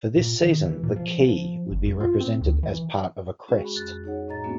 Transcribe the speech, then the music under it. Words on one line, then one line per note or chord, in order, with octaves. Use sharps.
For this season, the "key" would be represented as part of a crest.
A#2
D#3
E3
A#2
F3
F3
G1
F#2
F4
C4
D2
E3
G#3 C#4 F#4 G#4
B5
F2 F#6 A6
D#4 G#4 C#5 F#5
A2 D#5 A#5 A6
G#3 A#3 B3 C#4 D4 F#4